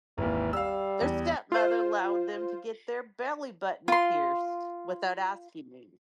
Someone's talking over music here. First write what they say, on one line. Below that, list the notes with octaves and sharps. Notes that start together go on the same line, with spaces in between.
their stepmother allowed them to get their belly button pierced without asking me.
G#1 D#2 E3
G3 F5 E6
E2
F4 C5
F4 C6